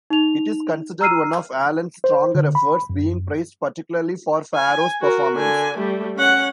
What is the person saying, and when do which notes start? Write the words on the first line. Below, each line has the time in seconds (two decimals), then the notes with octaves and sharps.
It is considered one of Allen's stronger efforts, being praised particularly for Farrow's performance.
0.10 D#4 F7
1.01 A#5 E6 F6 C7 D#7
2.04 C5
2.35 D3
2.55 B5
2.90 F#2
4.55 G#5
5.01 F#4 A#4
5.36 D3 G#5
5.77 G3 A3
6.17 C#4 F#5